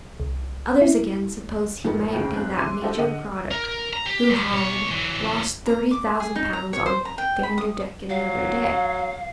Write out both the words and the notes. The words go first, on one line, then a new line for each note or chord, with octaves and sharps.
Others, again, supposed he might be that Major Craddock who had lost thirty thousand pounds on Vanderdecken the other day.
C2
E4
F2 G#2 D#3 A3 B3
F1 D2 C#3 G5
F1 C4 F#6
E5 G#5 C6 D6 D#7
D4 F#4 G4 A4 C5 D#5
D3 D#5 F#5 D#7
A#4
A#5
G4
F#3 G3
B1 C#5
E3 F#3
A#5
D6
G#4
D#4
A#5
C#5
C5
A#5
G5
B5
D#6
F#3 F5